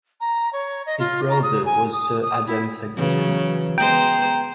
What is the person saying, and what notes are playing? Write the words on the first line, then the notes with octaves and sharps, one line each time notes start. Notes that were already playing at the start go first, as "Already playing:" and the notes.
His brother was Sir Adam Ferguson.
A#5
C#5
D#5
F4
A#5
D#6
G#5
D#6
D#6
E4
C#3 E3 F#3
G#3 B3 C5 G5 A#5